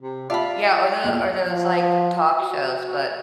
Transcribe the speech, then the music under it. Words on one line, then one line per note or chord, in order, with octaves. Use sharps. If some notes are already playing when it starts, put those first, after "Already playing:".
Yeah, or the or those like talk shows, but
C3
F4 G4 D5 E5 A5 B5
G5
E2 A#2 B3
F3
F#4